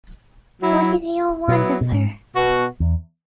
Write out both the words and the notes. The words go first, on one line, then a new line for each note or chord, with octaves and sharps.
What did they all want of her?
F#3 E4
B2 F#3 B3 E4
B2
G#2
B2 B3 F#4
E2